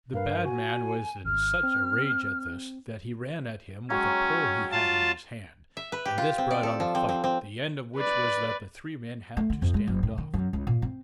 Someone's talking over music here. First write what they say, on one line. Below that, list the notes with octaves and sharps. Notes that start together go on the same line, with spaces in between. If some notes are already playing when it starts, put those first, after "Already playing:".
The bad man was in such a rage at this, that he ran at him with a pole he had in his hand, and this brought on a fight, the end of which was that the three men had to stand off.
G2 A#4 B4 F5
F#4 G#5
G#1 F6
C4
F#3 G#3 C#4 G5
F4 A5
E5
B4
G4
F4
C4
D5
A4
F3
C4
C4
C4
B4 D5
A3
D3
F2
G#3
F#1
A2
D#3
F#2
C#2
A#2
C4